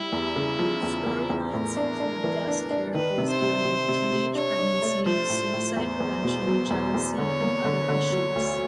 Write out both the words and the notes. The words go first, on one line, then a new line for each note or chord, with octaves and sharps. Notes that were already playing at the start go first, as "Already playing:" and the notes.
Storylines include guest characters dealing with teenage pregnancy, suicide prevention, jealousy and other issues.
Already playing: G3 E4
E2
C#3
F3
E2
E2
E2
A2 A#4
D4
D4
E3
D4
D4
D#3 B4
C3
C5
C3
C3
C3
C3
D4 C#5
D4
A3
F3 C5
A2
A2
E2 C5
E2
B2
F#3
E2
E2
D3 C#5
A#3
D3
D3
F#3
D2